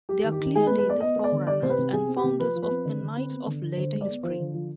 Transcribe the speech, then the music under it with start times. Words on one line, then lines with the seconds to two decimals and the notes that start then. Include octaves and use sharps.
They are clearly the forerunners and founders of the "Knights" of later history.
0.09 G3 G4
0.24 D#3
0.32 G4
0.39 D#3
0.55 G#3 G#4
0.67 B4
0.70 G#3
0.78 B4
0.86 B3 D5
1.01 B3 D#5
1.16 B3
1.24 D5
1.32 D3
1.47 G3 D5
1.62 C3 C5
1.70 B4
1.78 C3
1.93 C3 G#4
2.08 C4
2.17 G4
2.24 C3
2.39 F3 B4
2.55 F3
2.63 B4
2.70 C4
2.85 D3
3.01 D3
3.16 C4
3.31 B3
3.47 D3
3.62 D3
3.77 D3 C5
3.93 G#3
4.01 D5
4.08 B3
4.23 F3 C5
4.39 D3
4.54 F3